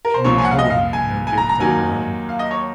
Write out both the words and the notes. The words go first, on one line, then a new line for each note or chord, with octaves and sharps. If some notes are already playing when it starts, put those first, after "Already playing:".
She need trouble him with no gift of her own.
A#4
C5
C2 A#2 F3 C#5
G#5
F#5
F5
D#5
F5
G#5
G#5
A#5
A#5
D#2 D#3 F#3 G#5
F5
D#5
C#5